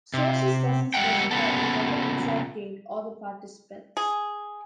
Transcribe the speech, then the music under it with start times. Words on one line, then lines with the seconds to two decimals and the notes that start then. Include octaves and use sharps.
Sources doesn't specify either the exact date or the participants.
0.14 C3
0.94 G3 G#3 F#5 G5
1.31 A#2 C#3 B3 A4
3.97 G#4